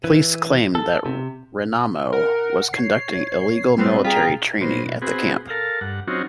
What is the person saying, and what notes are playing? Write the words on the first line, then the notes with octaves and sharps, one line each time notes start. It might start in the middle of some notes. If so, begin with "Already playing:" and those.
Police claimed that Renamo was conducting illegal military training at the camp.
E3
A4
C3
A#4 F#5
C#5 C7
G3 B3 C4
F4 G#4 G5 A#5 B6
A#2 F#3 B3 C5
B2
B3 C4 F#4 G#4
A4 A#4 F5
G2 F#5
F#3 C4 C#4 D#4 F4 F#4